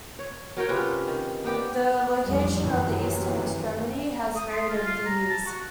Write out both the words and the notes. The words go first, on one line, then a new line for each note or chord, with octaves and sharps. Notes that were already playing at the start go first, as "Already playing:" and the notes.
The location of the eastern extremity has varied over the years.
C#5
F#3 A#4 C#5 G5
C3 C#4 F4 B4
D#3
A#3 B3 G4 D5
A1 F2 F3 G3
F#2 C3 D#3 E3 F#3
D#6
C6
F4
F4
A#5
A5
F#4